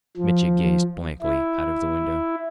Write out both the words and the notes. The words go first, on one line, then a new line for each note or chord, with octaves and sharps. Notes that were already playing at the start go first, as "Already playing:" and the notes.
Mitya gazed blankly out of the window.
F3
E4